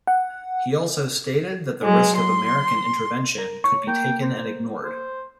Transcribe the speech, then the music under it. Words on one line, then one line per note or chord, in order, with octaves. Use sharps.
He also stated that the risk of American intervention could be taken and ignored.
F#5
F#3 G#3
C6
A#4
C#5 C#6
A#3 G5
C5
C5